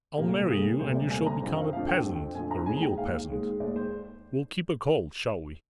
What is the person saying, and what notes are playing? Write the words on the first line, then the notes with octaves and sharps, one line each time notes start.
I'll marry you, and you shall become a peasant, a real peasant; we'll keep a colt, shall we?
D2 C3 G3 A#3 G4
D2 C3 G3 A#3 G#4
D2 C3 G3 A#3 C5
D5
D2 C3 G3 A#3 G#5
A#5
F2 D3 F3 C4
F5
F2 D3 F3 C4 F5
G5
F2 D3 F3 C4
F2 D3 F3 C4 G#5
A#5
D#2 D#3 G#3 G#5
G5
D#2 D#3 G#3 F5
D#2 D#3 G#3
D#2 D#3 G#3 D5
C5